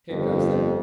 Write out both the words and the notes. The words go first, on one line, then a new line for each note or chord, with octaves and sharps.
Here goes then ...
G1 F2